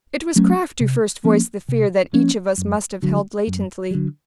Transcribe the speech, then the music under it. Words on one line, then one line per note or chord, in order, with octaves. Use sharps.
It was Kraft who first voiced the fear that each of us must have held latently.
F#3 A3 C#4
C3
F3 A#3 C#4
C3
F3 A#3 C#4
F#2
D3 F#3
F#2
D3 F#3